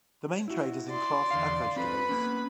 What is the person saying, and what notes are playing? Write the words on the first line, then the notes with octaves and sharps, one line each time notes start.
The main trade is in cloth and vegetables.
E4 F#4
D5 C6
E2 D3 F5
C4 F4 A4 B4 B5
A#3 B3 C#4